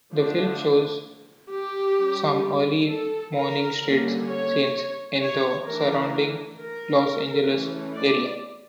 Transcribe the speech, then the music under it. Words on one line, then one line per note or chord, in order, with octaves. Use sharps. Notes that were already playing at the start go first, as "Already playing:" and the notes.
The film shows some early morning street scenes in the surrounding Los Angeles area.
D3 F3 A3 D4
G4
G3 C#4
A4
A#4
D3 G3 A#3 C#4
C#5
C#5
E3 A3 D4 A#4
A#4
E3 A3 C#4
D5